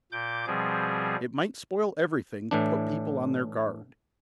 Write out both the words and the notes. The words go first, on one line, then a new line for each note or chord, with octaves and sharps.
"It might spoil everything to put people on their guard."
A#2 D6 G6
B2 F3 G3 C4 G#4
A2 E3 D4